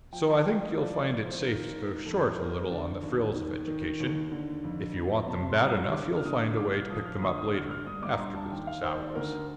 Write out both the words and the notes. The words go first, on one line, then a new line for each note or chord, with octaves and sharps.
So I think you'll find it safe to go short a little on the frills of education; if you want them bad enough you'll find a way to pick them up later, after business hours.
F3 G5
A5
F3 G5
D5
D#5
F3 D5
D5
F3 D5
C5
D#3 A#4
D#2
F2 A4
F2 A#4
D3 D5
D#2
D#3
D#3
D#2
D3
F2
F2
C3 A5
C6
C2 A#5
D3 D6
F6
D3 D#6
C2 D6
F6
F3 D#6
F6
D2 D#6
D#6
D3 F6
F6
G2 D#6
D6
A#5
G2 C6
A5
D#2 G5
F5
D#2 C5
D5
C5
D2 A#4